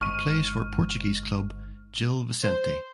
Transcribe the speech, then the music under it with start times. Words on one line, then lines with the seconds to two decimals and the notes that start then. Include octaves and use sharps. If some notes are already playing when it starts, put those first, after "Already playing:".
He plays for Portuguese club Gil Vicente.
0.01 G1 G#2 C#6 F6 D#7
2.43 C5